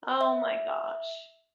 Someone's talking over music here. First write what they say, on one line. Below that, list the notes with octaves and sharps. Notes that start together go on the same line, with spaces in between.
Oh my gosh.
E5